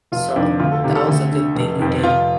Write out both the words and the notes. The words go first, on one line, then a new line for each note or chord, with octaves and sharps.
So that was a good thing you did.
F1 F4
F2 D#3 D4
D2 F4
A4
C3 D#3 G4
A4
D2
D3
F1
F2 D#3
F1 F4